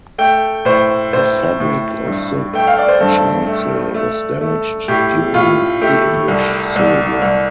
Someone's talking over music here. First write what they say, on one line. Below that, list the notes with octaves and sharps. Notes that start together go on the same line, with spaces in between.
The fabric of the chancel was damaged during the English Civil War.
A3 G5
A2 C5
A2 C5
A2
G2
A3 G5
F5
D5
C5
G2 A4
A3
A3
A3
A2 G4
A2 F4
A3 G4
C2
C2
C2